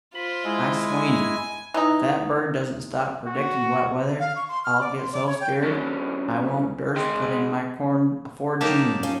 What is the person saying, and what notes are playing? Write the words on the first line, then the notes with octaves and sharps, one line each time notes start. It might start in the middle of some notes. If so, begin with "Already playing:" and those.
I swanny, if that bird doesn't stop predictin' wet weather, I'll get so scared I won't durst put in my corn afore June.
F4 C5 B5
G#3 E4
G#5
E3 D#4
F#4
F5
C#6
C6
F6
D5
C6
D5
C#5
G5
D2 F#3 C#4 D4
G#2 G#4 D#5 G5 C6
F#3 A#3 D#4 G4 A5
C#4 F4